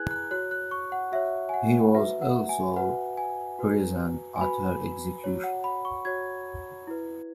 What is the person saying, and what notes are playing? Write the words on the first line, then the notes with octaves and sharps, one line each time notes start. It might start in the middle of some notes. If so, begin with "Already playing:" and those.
He was also present at her execution.
Already playing: E4 G#4 B4 G#5 F#6 G#6
F#6
F#4 C#5 F#6
F#6
C#6
F#5
F#4 C#5 E5
G#5
F#5
F#4 B4 E5
F#5
G#5
F#4 B4 F#5
G#5
F#4 B4
G#5
F#4 B4 B5
F#4 C#5
F#5
B5
C#6
F#4 C#5 G#6
E4 B4